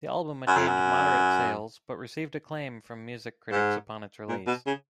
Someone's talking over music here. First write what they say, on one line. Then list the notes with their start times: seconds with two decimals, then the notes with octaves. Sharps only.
The album attained moderate sales, but received acclaim from music critics upon its release.
0.47 F#2
0.57 F2
0.67 F#2
3.52 G#2
4.29 A#2
4.47 B2
4.67 C#3